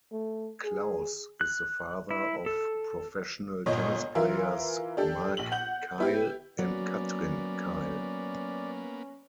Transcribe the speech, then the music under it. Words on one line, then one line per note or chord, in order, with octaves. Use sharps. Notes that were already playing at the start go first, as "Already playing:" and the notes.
Klaus is the father of professional tennis players Mark Keil and Kathrin Keil.
A3
G#4
F#6
E4
A4
G1 A#2 C#5 D#5
E3 F4 A#4 E5
D4 G4 A4
A#1 F#7
F#5 G6 F#7
B3 E4 G4
F#3 A#3 B3 C#4 D5